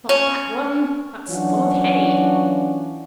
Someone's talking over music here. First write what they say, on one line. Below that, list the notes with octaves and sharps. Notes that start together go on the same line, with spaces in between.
Not that one--that's full of hay!'
C#4
E3 F#3 C#4 D4 F4 F#4